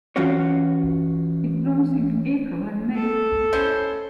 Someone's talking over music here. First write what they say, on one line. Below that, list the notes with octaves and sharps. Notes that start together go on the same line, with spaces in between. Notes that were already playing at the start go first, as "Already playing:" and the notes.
It blooms in April and May.
E3 F3 C#4 F4 F#4 C#5
A4
C#4 E4 C5